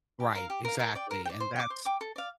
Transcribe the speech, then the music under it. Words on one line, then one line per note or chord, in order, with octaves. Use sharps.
Right, exactly, and that's
G4
A#4 F5
G4
A#4 F5
A#4
D5 G5
A#4
G5
D5
C5
G5
D6
C5
G5 D6
A4
D5 F5